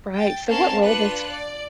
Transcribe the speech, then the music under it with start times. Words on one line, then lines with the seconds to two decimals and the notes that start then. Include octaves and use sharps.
Right. So what role does
0.15 G5 A6
0.47 C4 C#4 A#4 F5 A5
0.81 D4 F4 B4 F#6 C#7
1.29 D5